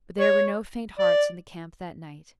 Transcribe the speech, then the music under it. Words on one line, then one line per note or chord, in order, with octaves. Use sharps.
But there were no faint-hearts in the camp that night.
C#5
D5